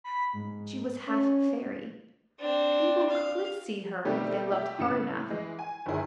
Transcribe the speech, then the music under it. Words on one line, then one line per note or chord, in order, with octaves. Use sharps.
She was half fairy. People could see her if they looked hard enough.
B5
G#2
C#4
C4 D4
F5
B2 D#3 G3 A3 C4 G4
G4 E5
A2 C#3 C#7 E7
E3 G#3
G#5
G1 D#2 E4 G#4